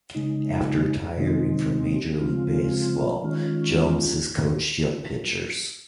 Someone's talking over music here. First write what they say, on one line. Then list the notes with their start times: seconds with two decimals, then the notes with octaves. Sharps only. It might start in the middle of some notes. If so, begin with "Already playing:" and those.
After retiring from Major League Baseball, Jones has coached young pitchers.
0.14 C#3 G#3 D#4
1.17 C3 D#3 G#3 C4 D#4
2.20 C#3 F3 G#3 C4 F4
3.22 D#3 G#3 C#4 F4